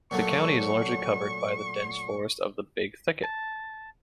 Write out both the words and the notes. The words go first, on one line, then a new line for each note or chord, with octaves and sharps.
The county is largely covered by the dense forest of the Big Thicket.
A#2 F#3 A3 C#6
A5